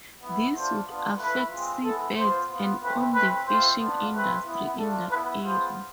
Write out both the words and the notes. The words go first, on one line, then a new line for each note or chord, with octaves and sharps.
This would affect sea birds and on the fishing industry in that area.
B3 E4
A3 D4 F4 C5
B3 D4 F4
A3 E4 B4
G#3 C4 F4
G#3 B3 E4 A4
B3 F4 C5
B3 F4
A3 C4 E4 B4
A3 C4 E4 B4
A3 C4 F4 C5
B3 D4 F4
A3 C4 F4 B4
B3 E4
A3 D4 F4 A4
B3 E4 B4
G#3 B3 F4 C5